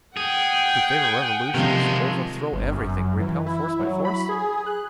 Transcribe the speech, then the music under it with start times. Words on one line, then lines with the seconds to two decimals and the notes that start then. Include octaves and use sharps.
To favor revolutions, overthrow everything, repel force by force?...
0.17 G#4 F#5 G5
1.54 C3 D#3 F3 G#3
2.52 G1
2.72 F#2
3.20 E3
3.46 E4
3.79 F#3
4.05 B5
4.29 G#4
4.66 F#6